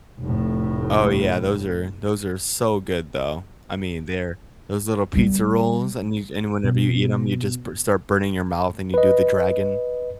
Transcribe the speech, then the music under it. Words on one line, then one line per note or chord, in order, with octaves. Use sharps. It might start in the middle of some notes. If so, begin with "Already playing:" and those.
Oh yeah, those are those are so good though. I mean, they're those little pizza rolls, and you c and whenever you eat 'em, you just b start burning your mouth and you do the dragon
F1 A2
G3 B3
B2
B4 D#5